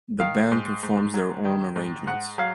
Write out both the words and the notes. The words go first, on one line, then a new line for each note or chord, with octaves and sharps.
The band performs their own arrangements.
D#3 F5
G#2
G#2
F#3
D#3
G#2
G#2 F#5
F#3 F5